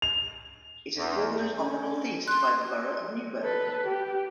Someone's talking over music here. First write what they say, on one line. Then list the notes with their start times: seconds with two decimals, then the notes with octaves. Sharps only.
It is bordered on the northeast by the borough of Newburg.
0.02 F7
0.97 E2
1.57 C#4
2.28 C6 F#6
3.42 A4 B4
3.83 G4